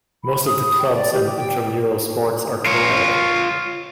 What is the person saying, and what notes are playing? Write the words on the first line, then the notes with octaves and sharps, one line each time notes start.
Most of the clubs and intramural sports are coed.
B5
D#6
G5
D5
G4
G5
F4 C#5